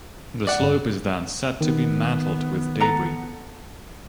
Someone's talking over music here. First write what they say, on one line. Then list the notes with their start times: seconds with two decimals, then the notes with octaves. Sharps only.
The slope is then said to be "mantled" with debris.
0.47 D5 F#5
0.60 G1
1.61 D#3 B3
2.80 A4 F#5 A#5